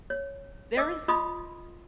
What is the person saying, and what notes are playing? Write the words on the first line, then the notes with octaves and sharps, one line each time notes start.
there was
C#5
D#5 D6 E6
F4 D#5 B5 C6 D#6